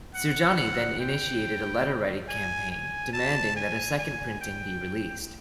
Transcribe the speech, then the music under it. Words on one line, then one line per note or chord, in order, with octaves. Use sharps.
Sirjani then initiated a letter-writing campaign, demanding that a second printing be released.
F#5
F#5
G5
G#5
G#5
A5
G#5
G#5
G5